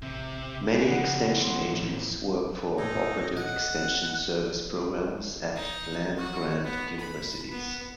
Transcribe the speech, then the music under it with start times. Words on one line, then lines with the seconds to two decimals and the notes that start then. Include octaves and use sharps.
Many extension agents work for cooperative extension service programs at land-grant universities.
0.02 A1 C3
0.68 B3 G#4
0.87 F2 C#3 B3 F#5 C7
1.44 F#5 C6
1.71 A2
2.78 A2 D#4
3.37 D#5 F#5
5.56 D#4
6.18 F#4
6.64 B3
6.99 B5
7.51 B3